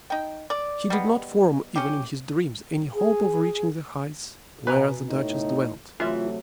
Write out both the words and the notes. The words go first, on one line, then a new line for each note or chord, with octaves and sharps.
He did not form even in his dreams any hope of reaching the heights where the duchess dwelt.
D#4 G5
D5
G3 G#3 B3
C#4 G4
G#4
B2 B4 G#5 A#5
A2 D#4
C3 E3 F#3 A3 F4 E5